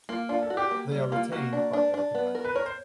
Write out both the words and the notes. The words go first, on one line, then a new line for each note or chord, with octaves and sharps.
They are retained by earth embankment.
A#3 F4
D4 F4
A4
F#4
G4
A#3
G3
A#3 F4
A#3 F#4
D4
D4
D4
B3
A#4
B4
A#4 C#5
C5